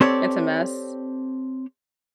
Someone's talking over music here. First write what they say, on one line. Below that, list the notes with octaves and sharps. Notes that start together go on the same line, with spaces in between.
It's a mess.
C4 G4 A4 C#5 D5